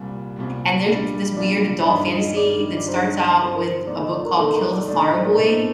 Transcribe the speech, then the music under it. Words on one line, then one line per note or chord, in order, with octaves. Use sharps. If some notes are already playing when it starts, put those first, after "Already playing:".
and there's this weird adult fantasy that starts out with a book called Kill the Farm Boy,
Already playing: C2 A#2 G3
C2 A#2 G3
A#2 G3 D4
A#2 G3 D4 D5
G2 D#3 G3 D#5
G2 D#3 G3 D5
D5
G2 D3 F#3 C4 D#4 C5
G2 D3 F#3 C4 D#4
A#4
C5
A#2 A3 D#4 D5
D#5
D5
A#4
A#2 A3 D#4 A4
A#4
D5
A2 A3 D4 D5
D#5
C5
A#4
A2 A3 D4 A4